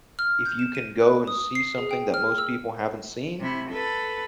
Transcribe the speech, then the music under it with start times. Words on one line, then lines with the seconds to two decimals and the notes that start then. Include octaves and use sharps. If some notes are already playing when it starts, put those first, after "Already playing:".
if you can go and see something that most people haven't seen
0.19 F6
0.45 G6
0.59 E7
0.75 D#7
1.00 F#6
1.27 D#6
1.55 C7
1.78 G#4
1.91 G5
2.14 F6
2.38 E6
3.40 C3 E4
3.71 A4 B4